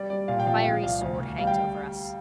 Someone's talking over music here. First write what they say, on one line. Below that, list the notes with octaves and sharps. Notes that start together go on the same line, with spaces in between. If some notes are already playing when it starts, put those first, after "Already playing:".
A fiery sword hangs over us.
Already playing: G3 D5
G3 D5
A#2 F5
G5
F3 F5
G5
F3 F5
C2 F5
D2
D2
G3 F5
G5